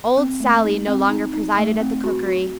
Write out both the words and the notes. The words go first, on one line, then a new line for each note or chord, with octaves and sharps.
Old Sally no longer presided at the cookery.
C4
A3
D#4
C4
D#4
D#4
A3
C4
F#4
F#4